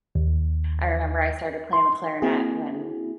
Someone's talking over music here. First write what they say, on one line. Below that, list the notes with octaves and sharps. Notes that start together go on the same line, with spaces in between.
I remember I started playing the clarinet when
D#2
C6
A#3 C4 E4 F#4 G#4